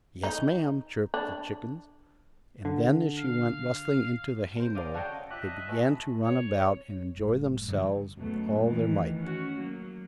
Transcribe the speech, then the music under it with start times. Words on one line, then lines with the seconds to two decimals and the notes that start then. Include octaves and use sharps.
'Yes, ma'am,' chirped the chickens; and then as she went rustling into the hay-mow, they began to run about and enjoy themselves with all their might.
0.23 D#4
1.14 D4
2.65 D3
3.18 F5
4.56 A#4 C5
4.75 D5 D#5 F5
4.94 F#4 A4 A#4 C#5 D#5 G5
5.31 D4 F4 G4 D#5 E5 F#6
5.69 E3 A3 B3
6.24 C#5
7.15 F#1 A2 G3
7.68 G2 D3 F3
8.16 F#2 B2 A3
8.64 D#3 E3
9.19 C#4 F#4
9.59 F#3 A#3